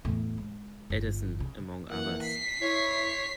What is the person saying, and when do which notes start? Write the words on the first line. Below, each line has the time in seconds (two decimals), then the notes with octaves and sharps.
Eddison, among others.
0.05 E2 A2
0.38 G#3
0.90 G1
1.40 C#3
1.90 E3 A#3 F#5
2.23 B6 C7
2.62 E4 C#5